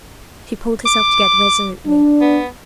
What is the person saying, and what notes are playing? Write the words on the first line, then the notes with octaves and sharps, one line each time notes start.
She pulled herself together resolutely.
D6
D4
B3